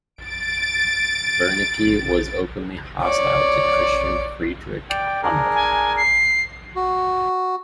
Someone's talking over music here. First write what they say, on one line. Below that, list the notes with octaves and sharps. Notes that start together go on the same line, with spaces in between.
Wernicke was openly hostile to Christian Friedrich Hunold.
A6 D7
C#5 D5
D5 G5
D4 G#4 A#4
G#5
C7
F#4